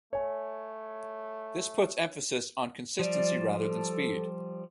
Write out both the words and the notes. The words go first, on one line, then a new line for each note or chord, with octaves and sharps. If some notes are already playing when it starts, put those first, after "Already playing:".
This puts emphasis on consistency rather than speed.
A3 C#5 G#5
F3 G3 D5
A4